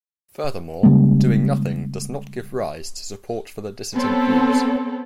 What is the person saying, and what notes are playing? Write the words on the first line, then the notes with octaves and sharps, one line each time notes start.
Furthermore, doing nothing does not give rise to support for the dissident views.
C#3 G3 G#3 A#3
B3 C4 A4 C#5